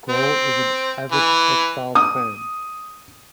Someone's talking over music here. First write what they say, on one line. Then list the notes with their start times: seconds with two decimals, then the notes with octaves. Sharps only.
Grohl is an avid "X-Files" fan.
0.09 C4
1.12 E3
1.95 D#6